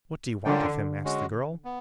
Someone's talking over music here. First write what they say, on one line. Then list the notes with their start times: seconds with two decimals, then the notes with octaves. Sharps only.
"What do you want of him?" asked the girl.
0.45 D3 C#4 F4 A#4 D5 G5
1.05 G#3 C#4 F#4
1.64 B3